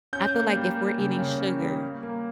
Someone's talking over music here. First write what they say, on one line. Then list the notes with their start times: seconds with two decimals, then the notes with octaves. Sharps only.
I feel like if we're eating sugar
0.13 C#4 G6
0.34 A#3
0.56 G3
0.77 A#3
0.98 C#3
1.19 C#3
1.39 C#4
1.62 G3
1.82 A#3
2.03 A#3